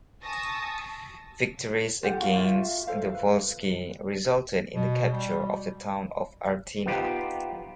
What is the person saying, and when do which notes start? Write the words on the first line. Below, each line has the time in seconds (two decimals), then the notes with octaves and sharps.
Victories against the Volsci resulted in the capture of the town of Artena.
0.24 G#5 A5 C#6 D#6 E6 A#6
2.03 F4 G4 A4 F#5
2.20 F#4 F5 A5
2.36 F4 E5
2.87 A4 C5 F5
3.14 B4
4.73 B2
5.13 G3
6.86 B3 D#4 F4 G4 B4 C5